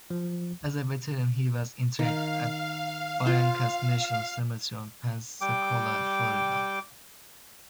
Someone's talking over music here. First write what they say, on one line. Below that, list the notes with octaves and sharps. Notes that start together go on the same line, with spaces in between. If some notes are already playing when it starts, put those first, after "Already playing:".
As a veteran he was interred at Barrancas National Cemetery in Pensacola, Florida.
F3
D#3 F5
F4 C5
G3 G5 D6